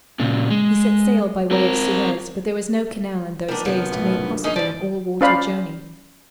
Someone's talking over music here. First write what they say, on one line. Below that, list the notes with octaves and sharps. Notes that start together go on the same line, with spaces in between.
He set sail by way of Suez, but there was no canal in those days to make possible an all-water journey.
A#2 C#3
G#3
C4 A#4
G3 B3 D4 D#4 A#4
F#2 C3 D#3 F3 B3
B1 A2
G2
C#4 D#4 G#4 D#5
F3 G3 C4 D5
C#4 F4 C5 D5 F5 B5